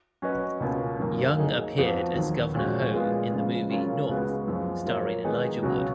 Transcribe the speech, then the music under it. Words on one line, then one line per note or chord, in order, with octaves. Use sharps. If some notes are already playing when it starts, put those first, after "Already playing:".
Young appeared as Governor Ho in the movie "North" starring Elijah Wood.
F#3 C#4 F#4 B4 D#5
C#2 B2 A#3 C#4 F4
F#2 D#3 F#3 A#3
F#3 A#3 D#4 G#4 D#5
F2 F3 B3 F#4
D#2 D#3 F#3
A#2 F3 G#3 C#4 F#4
A#2 G#3 B3 F4
C#3 F3 G#3
C#3 F#3 C#4 F4 A#4
C#2 C#3 G#3 B3 F#4
F#2 F3 G#3
F#3 A#3 F4 A#4 C#5
D#3 G#3 B3 D#4 G#4
C#2 B2 F#3 C#4 F#4